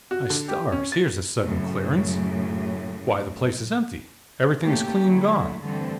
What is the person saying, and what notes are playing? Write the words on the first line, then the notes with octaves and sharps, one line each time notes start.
'My stars!--here's a sudden clearance!--Why, the place is empty,-- everything's clean gone!'
F#4
D3
G4
C#4
A6
F#2 A2 C#3
A3 A#3 C#4 G4
D3 F#3 A3 A#3 E4
G2 D3 E3 A3 C4 A4